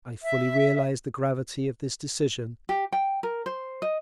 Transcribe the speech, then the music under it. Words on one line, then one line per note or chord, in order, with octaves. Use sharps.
I fully realise the gravity of this decision.
E5
G4
G5
A#4
C5
D#5